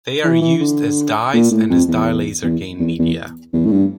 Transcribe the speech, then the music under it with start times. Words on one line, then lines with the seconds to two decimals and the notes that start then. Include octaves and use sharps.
They are used as dyes and as dye laser gain media.
0.24 E3
0.41 E3
0.60 D3
1.34 A#2
1.51 A2
1.70 F2
1.89 E2
2.44 E2
2.80 E2
2.99 E2
3.53 E2
3.66 A2
3.72 G2